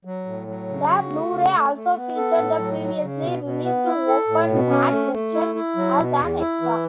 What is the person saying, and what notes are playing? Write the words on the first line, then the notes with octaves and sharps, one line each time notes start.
The Blu-ray also featured the previously released open matte version as an extra.
F#3
A2
F#3
C#3
F#4
A3
C#3
A3
A3
B3
A4
A2
F#3
F#3
C#3
B2
B2
B3
E4
A4
A2
B2
C#4
A3
A3
E4
E4
F#3
B2
E2
E4
E3